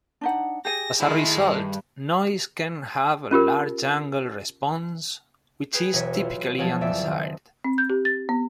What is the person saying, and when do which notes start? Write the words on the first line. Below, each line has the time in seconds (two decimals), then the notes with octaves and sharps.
As a result noise can have a large angle response which is typically undesired.
0.21 D4 D#4 F#5
0.65 G4 G#4 G#5 A#6
1.00 D#3 G#3 A3 E4
1.37 G2
3.31 C#4 F4 G4 A#4
5.73 G#4 B4 G5 G6 C7
5.93 E1 B1 C#5 B6
6.15 E4 F4
6.58 B1 F3 F#3 G#3 G#5 A5
6.81 F#1 F2 C4 D5 E5
7.02 D#3 C4
7.65 C4
7.78 G6
7.90 G4
8.05 A6
8.29 B3